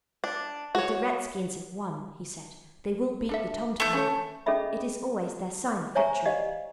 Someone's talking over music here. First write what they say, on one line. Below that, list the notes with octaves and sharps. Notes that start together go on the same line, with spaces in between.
'If the redskins have won,' he said, 'they will beat the tom-tom; it is always their sign of victory.'
D4
F#4 C#5
D4 A4 E5
A3 G6
C#4 A4 C#5
C#4 G#4 A4 D#5 E5 B5
C5 C#5 E5 G#5 A#5 C#6
G4 D5 D#5 F5